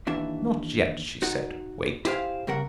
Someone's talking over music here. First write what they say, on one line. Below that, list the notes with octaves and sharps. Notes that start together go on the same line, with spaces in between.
"Not yet," she said; "wait."
D#2 E3 D4 E5
D#4 F#4
E4 G4 G#4 C5 C#5 F5
G2 C#3 A#4 F#5